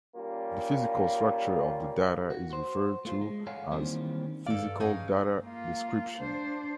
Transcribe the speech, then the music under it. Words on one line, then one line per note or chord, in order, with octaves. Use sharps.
The physical structure of the data is referred to as "physical data description".
G3 A#3 C#4 F4
F#4
F#4 C5
A3 F4 C5
G#3
A4 C#5 F5 F#5 G#5
D#3 E3 G3 A#3 C4 C#4
G2 A4 D5 F5
C#4 D#4 G#4
A#3 F4
D4 C5